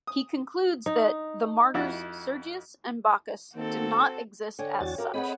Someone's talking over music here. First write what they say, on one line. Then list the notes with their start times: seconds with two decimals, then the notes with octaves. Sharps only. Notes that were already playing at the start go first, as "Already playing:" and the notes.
He concludes that "the martyrs Sergius and Bacchus did not exist as such".
0.07 D#6
0.86 D#4
1.74 F2 E4 F#4
3.56 D#3 A#3 C4 F#4 A4
4.59 D3 C#5 G5 G#5
4.81 E2 F#4 A6
4.98 F#4 G4 A#4 F5
5.14 C4 G#4 B4 C#5 D#5 F#5 B5